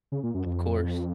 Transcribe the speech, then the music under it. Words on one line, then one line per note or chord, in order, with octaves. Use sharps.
Of course.
C#3
A#2
F#2
F2